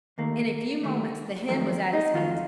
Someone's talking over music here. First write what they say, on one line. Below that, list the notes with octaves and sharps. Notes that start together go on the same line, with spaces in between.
In a few moments the hen was at his feet.
D#2 D#3 A3 A#3
D#2 D#3 A3
F2 D#3 F#3 A3 C4
D#4
F2 D#3 F#3 A3 F4